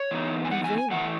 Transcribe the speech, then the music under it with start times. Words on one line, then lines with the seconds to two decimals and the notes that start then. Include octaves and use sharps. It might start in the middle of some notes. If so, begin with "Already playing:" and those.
In vain!
Already playing: C#5
0.11 E3 B3 D#4
0.45 G#5
0.51 F#5
0.64 G#5
0.78 G#5
0.91 A2 E3 A3 E4 F#5